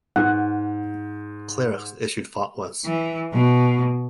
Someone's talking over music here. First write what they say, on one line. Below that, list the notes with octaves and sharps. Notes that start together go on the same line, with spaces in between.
Clerics issued fatwas.
G#2 F#5
E3
B2